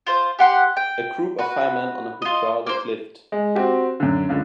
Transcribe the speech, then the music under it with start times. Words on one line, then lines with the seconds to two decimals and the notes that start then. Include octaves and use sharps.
A group of firemen on a hydraulic lift.
0.07 F4 C5
0.39 G4 F#5 C6
0.77 G5
1.39 F#4 B4
2.22 F4 D#5
2.67 A#3 C5
3.32 G#3
3.55 C4 F#4 G4
4.00 F#2 D3
4.29 C#2 D3